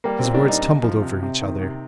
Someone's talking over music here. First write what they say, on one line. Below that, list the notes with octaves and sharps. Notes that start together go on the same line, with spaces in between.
His words tumbled over each other.
G3 A#3
C4
A#2
D4
G3 D#4
C3
F3
C3
C3
D#3
C3